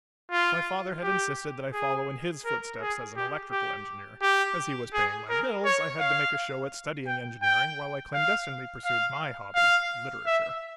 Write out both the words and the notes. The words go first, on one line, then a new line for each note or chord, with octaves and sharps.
My father had insisted that I follow in his footsteps as an electrical engineer; as he was paying my bills, I had to make a show at studying engineering while I clandestinely pursued my hobby, literature.
F4
G4
G#4
A#4
G#4
G4
G4
G4
G#4
A#4
C#5
F5
G5
G5
F5
F5
F5
E5